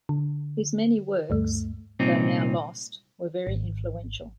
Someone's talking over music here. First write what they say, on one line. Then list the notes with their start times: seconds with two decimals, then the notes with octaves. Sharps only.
His many works, though now lost, were very influential.
0.09 D3
1.30 D2 G2 A3
2.00 C2 A#2 C4 C#4 D#4
3.47 G#1